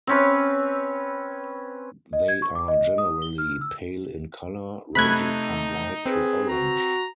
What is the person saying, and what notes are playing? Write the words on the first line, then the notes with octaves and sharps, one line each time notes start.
They are generally pale in colour, ranging from white to orange.
C4 C#4 B4
D#5
G#6
C#6
D6
D#5
D#6
G7
F6
E6
C3 A3 D#4 B5 F#6 G#6
C4 G#4 B4
F#4 A#5